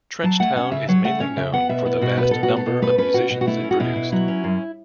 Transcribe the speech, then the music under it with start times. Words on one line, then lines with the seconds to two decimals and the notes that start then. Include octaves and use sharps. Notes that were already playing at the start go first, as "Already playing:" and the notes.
Trench Town is mainly known for the vast number of musicians it produced.
0.23 F#3 A5
0.40 A3 F#5
0.56 C#4 F#5
0.72 C#3 E5
0.88 F#3 C#5
1.04 A3 F#5
1.20 C#4 C#5
1.37 C#3 E5
1.53 B3 F#5
1.69 B2 E5
1.85 B3 E4
2.01 B2 F#4
2.17 B3 B4
2.31 B2 A4
2.43 F#4
2.49 B3
2.56 A4
2.66 B2
2.82 A3 B4
2.98 C#4 B4
3.14 B2 F#4
3.30 B2 F#4
3.41 F#4
3.47 A3 E4
3.64 C#4
3.71 F#4
3.80 B2 E4
3.96 B2
4.12 F#3 E4
4.28 C#4
4.44 F#2